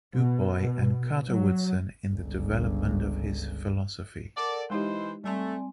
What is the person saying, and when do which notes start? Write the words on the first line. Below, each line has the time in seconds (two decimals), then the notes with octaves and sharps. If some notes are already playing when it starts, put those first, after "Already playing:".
Du Bois and Carter Woodson in the development of his philosophy.
0.16 B2
1.29 F#3
2.12 G1 C#2
4.36 A4 A#4 D5 F#5
4.70 E3 G#3 D#4 E4 G4 C5 D#5
5.24 G3 A3 C4 D5 G#5 A5